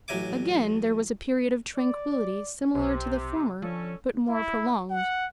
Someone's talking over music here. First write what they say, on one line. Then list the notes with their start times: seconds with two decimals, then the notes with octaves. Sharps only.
Again there was a period of tranquillity similar to the former, but more prolonged.
0.08 A1 F#3 E5 G#5 D6
1.76 D5
2.75 B1 C3
3.62 D3 F3 C#4 A4
4.28 E4
4.90 F#5